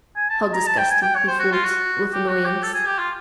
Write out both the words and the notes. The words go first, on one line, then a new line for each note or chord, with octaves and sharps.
"How disgusting," he thought with annoyance.
G#5
A5
A#5
A5
G5
G#5
G5
C#5
C5
F#4
F4
F#4
G4
F#4
G4
A4
G#4
G4
F4